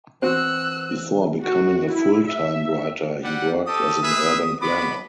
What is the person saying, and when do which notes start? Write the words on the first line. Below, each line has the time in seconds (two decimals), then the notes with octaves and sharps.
Before becoming a full-time writer, he worked as an urban planner.
0.22 E3 C4 F#4 C5 E6 F#6
1.43 F#4
1.93 E4
2.28 E5
3.24 G3 F#5
3.66 G4 A4 D#6
4.03 G#4 B4 E5
4.61 B3 F#4 B5 D6